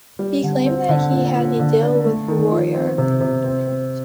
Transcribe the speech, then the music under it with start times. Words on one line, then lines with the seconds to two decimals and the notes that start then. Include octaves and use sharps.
He claimed that he had a deal with Royer.
0.19 G3
0.43 D3
0.66 C4
0.89 D3
1.12 A#2
1.36 A#2
1.59 D3
1.83 D4
2.05 A3
2.28 D#3
2.51 F3
2.75 C4
2.98 C3
3.21 C3
3.44 C4
3.67 C4